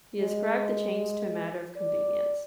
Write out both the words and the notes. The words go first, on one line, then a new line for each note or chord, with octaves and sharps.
He ascribed the change to a matter of convenience.
G#3
D5